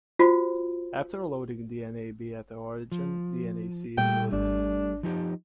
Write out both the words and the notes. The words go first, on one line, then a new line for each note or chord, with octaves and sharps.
After loading dnaB at the origin, dnaC is released.
F4 F#4 C5
F3
A#2 G3 A3 G5
G#1 D4
F3 D#4 G4